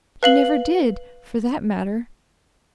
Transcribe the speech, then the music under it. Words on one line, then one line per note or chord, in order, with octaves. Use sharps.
He never did, for that matter.
B4 F5 F#7